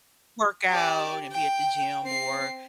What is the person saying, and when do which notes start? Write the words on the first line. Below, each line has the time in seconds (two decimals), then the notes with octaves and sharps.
work out and be at the gym more,
0.69 G4 D5
1.31 G5
2.03 C4 C7